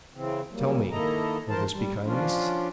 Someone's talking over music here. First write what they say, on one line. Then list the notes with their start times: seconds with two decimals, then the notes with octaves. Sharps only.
Tell me, will this be kindness?
0.15 C#3 E3 C4
0.52 F#3 G3 A#3
0.91 D#3 A#3 E4 A4 D#5 A#5
1.49 E3 F3 A#4 C5 A5
1.73 G3
2.03 F3 C#4 D4 F4